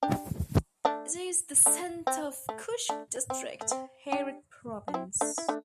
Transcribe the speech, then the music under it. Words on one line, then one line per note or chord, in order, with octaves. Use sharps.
It is the center of Kushk District, Herat Province.
D4 G4
A3 D4
A3 D4
C4
A3
A3 D4
C4
A3
C4
D4 G4
D4
C4 E4
A3 D4
E4
A3 D4